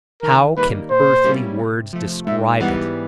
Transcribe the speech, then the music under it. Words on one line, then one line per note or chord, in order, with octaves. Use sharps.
How can earthly words describe it!
D#3 A#4
G3 A#3 D#4 B4
A#2 C5
G3 A#3 C#4 E4
C3
F3 A3
G#2 E5
E3 G3 B3 F#5